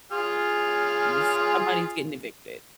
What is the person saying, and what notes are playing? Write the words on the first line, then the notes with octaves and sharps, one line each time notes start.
This" somebody's getting evicted.
F4 G#4 F6